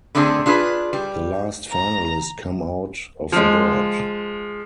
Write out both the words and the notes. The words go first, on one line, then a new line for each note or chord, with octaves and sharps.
The last finalist come out of the board.
D3 A3 C4 D4 G#4
D4 F4 G#4 B4
G3
A#5
F3 G#3